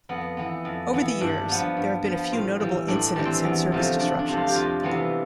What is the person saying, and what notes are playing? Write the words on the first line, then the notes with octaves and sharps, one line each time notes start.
Over the years, there have been a few notable incidents and service disruptions.
F2 B3
E3 B3
F2
E3 B3
G2 D4
F3 B3
G2
F3 B3
A2 F4
E3 G3
A2 D4
E3 G3
C4
E2
C3 F3 A3
E2 D4
D4
C3 F3 A3
F4
G4
F2 F4
C3 E3 G3 B3